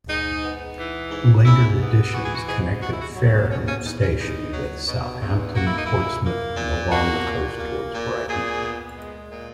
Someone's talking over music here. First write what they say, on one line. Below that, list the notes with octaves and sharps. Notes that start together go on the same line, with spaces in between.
Later additions connected Fareham station with Southampton, Portsmouth and along the coast towards Brighton.
G#2 D#4
B3
E3
G#2
G#2 E4
B3
E3 F#4
G#4
F#4
G#2 G#4
E2 F#4
E4
F#4
F#3
B2 C#4
C#4
E2 D#4
C#4
E2 D#4
F#3
B2
E2
A#3 F#4
E4
D#4
A#2 E4
A#3
A#2
A#3 F#4
A#2
A#3
A#2
A#2 G#4
B3
G#3
A#2